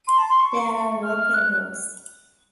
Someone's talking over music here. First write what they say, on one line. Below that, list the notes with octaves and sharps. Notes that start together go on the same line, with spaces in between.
There are local roads.
C6
A5
C6
C#6
F6
F#6